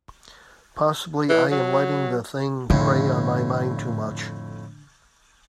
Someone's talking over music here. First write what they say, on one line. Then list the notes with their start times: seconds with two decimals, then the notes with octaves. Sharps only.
Possibly I am letting the thing prey on my mind too much.
1.29 E3
1.51 F#3
2.70 F2 A2 D3